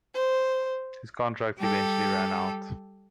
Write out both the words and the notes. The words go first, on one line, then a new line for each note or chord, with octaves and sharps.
His contract eventually ran out.
C5
G3 G4 A4